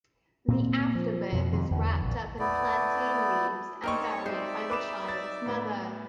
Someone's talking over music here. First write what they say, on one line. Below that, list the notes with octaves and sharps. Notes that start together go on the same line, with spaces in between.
The afterbirth is wrapped up in plantain leaves and buried by the child's mother.
A#2 C4
F3
F2 B2
F2 C3 D#3
E2 D3 E3
A#1
A3 B3 E4 D5
G3 C4 D#4 A4 A#4 C#5 C#6
G#3 D#4 C5 D5 E5
B4 D6 E7
A6
A2 B3